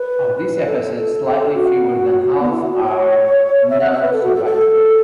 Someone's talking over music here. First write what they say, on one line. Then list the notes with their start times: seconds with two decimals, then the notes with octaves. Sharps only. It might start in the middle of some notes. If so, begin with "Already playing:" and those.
Of these episodes, slightly fewer than half are known to survive today.
Already playing: B4
0.67 A4
1.44 A4
1.54 F#4
2.40 B3
2.51 E4
2.62 F#4
2.73 F#4
2.83 C#5
3.70 E5
3.81 F#5
3.92 E5
4.02 B4
4.13 A4
4.23 F#4
4.35 A4
4.45 A4